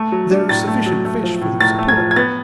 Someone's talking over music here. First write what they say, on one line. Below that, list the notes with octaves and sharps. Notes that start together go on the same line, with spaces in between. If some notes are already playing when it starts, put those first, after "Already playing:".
There are sufficient fish for their support.
Already playing: A3
F#3
D4
A2 A6
A3
F#3
A3
F3
A2
A2 A6
A3
G#6
F3
G#6
B3 A6